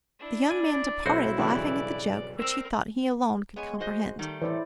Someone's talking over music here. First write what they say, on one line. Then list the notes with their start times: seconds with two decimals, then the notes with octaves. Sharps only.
The young man departed, laughing at the joke, which he thought he alone could comprehend.
0.20 D4 E4
0.51 D5 G#5
1.06 B1 C4 E4 F#4
1.38 G2 C#3 E3 D5
2.38 C4 A#4 E6
3.56 G#3 B3 C#5 G#5
3.80 F#4 C5 D#5
4.19 D#3 G3 A3
4.42 A2 E3 E4 C5 D5